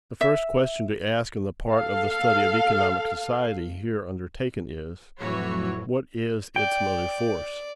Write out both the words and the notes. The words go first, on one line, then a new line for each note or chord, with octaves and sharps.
The first question to ask in the part of the study of economic society here undertaken is: What is its motive force?
E5
A4 F5
F2 A2 E3 F#3 F#4 C#5
D5 G5